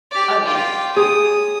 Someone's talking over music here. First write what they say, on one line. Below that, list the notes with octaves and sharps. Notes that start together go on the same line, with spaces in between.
Oh, yeah.
G4 D5
F4 G5
G#4 D#6